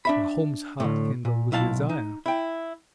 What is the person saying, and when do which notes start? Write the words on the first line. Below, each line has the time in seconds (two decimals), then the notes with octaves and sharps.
Pahom's heart kindled with desire.
0.05 D4 E5 B5
0.80 A2 D3
1.25 A#2
1.52 B1 E4 F5 A5
1.89 D#4
2.26 E4 G5